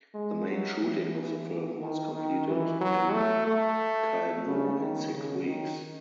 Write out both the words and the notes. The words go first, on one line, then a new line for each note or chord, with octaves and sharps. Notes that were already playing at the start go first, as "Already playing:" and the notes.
The main shooting of the film was completed in Kainuu in six weeks.
G#3
F#3
E3
D#3
D#3
E3
F#3
A3
A3
C#3
D#3
C#3
D#3